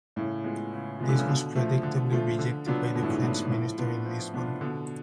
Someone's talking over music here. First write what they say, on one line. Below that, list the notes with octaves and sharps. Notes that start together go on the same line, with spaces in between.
This was predictably rejected by the French minister in Lisbon.
A2 C#3
G#3 B3 F4
C#3
G#3 B3 F4
D3
C#3
B2 D3
F3 A3 F4
D3
F3 A3 F4
D3
F#3 B3 D4 F4
B2 D3
A2
G#2
A2
F#3 B3 D4 F4
A2 F3
B3 D4 F4
F3
B3 D4 F4
B2 D3